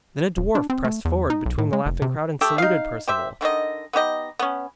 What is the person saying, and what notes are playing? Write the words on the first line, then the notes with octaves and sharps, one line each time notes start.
Then a dwarf pressed forward between the laughing crowd and saluted Perceval.
D#1
D4
C4
A3
E2
D#4
B1
A2
G#3
F1
C3
A3 G4 A4
D#4 F5
G4 C5 E5
D3 D#3 F#4 D#5
B3 D#4 G4 D#5
B3 C#4